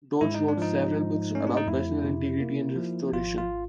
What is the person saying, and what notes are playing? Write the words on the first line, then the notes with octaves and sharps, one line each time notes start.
Dortch wrote several books about personal integrity and restoration.
G#2 E4
D#4
D4
F3 D#4
G#2
A3 C#4
D4
D#4
F2 E4
C3
A#3
F3
G#1 F4
F4